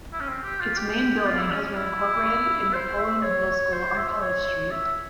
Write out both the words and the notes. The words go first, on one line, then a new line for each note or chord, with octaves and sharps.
Its main building has been incorporated into Poland Middle School on College Street.
E4
C#4
C4
G4
F4
G4
F4
E4
C#4
C#4
E4
C5
E5
C#5
C5
E5
C#5
E5